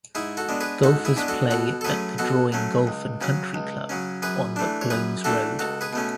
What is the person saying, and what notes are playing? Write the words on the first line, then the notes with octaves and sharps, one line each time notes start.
Golfers play at the Drouin Golf and Country Club on Mcglones Road.
G#2 E4 G#4
F#4 A4
G#3 B3 D4
G#4 B4
G#2 F#4 A4
E4 G#4
G#3 B3 D4 B4
F#4 A4
B2 F#4 A4
A4
F#3 A3 C#4 G#4 B4
B2 F#4 A4
F#3 A3 C#4
C#2
C#3 F#3 C#4
C#2
C#3 F#3 C#4
F#2 G#4 B4
E3 A3 D4
C#5
F#2 G#4 B4
E3 A3 D4 F#4 A4
C#2 F#4 A4
G#4 B4
B2 A3 C#4